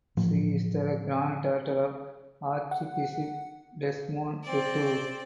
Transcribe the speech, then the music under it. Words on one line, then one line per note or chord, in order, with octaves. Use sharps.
She is the granddaughter of Archbishop Desmond Tutu.
A2 E3 F3 A3
F#5
C4 D5